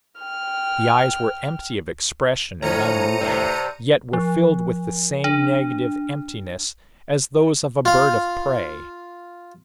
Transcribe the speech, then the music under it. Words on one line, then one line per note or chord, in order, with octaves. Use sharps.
The eyes were empty of expression and unmoving, yet were filled with the same negative emptiness as those of a bird of prey.
G5 F6
A2 D3 F3 C#4 C5 A#5 C#7 D#7
G2 C3 G3
F3
D4
F4 F5